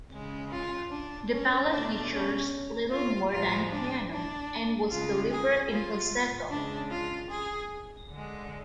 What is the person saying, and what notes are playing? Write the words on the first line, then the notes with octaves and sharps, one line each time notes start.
The ballad features little more than piano, and was delivered in falsetto.
C#3 G#3
F4
D4
C#4
B2 A3 D4
C#4
F4
A2 F3 G#3 F4
D4
D4
C#3 G#3 F4
G#4
F4
C#3 G#3 D4
F4
G#4
D3 G#3